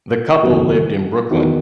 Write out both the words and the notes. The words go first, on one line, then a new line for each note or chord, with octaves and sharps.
The couple lived in Brooklyn.
F#1 E2 D#3 F#3
E2 D#3 F#3